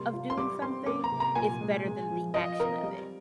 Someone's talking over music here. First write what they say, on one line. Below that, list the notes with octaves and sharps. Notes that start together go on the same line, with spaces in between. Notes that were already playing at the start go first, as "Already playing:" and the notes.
of doing something is better than the action of it.
Already playing: C3 G3 A#3 C6
F4
C6
G3 D6
C4 C6
A#3 D6
A#5
C3
A#5
A#2 G#5
G#3
G#3
F3
F4 D#5
C4 A#4
G3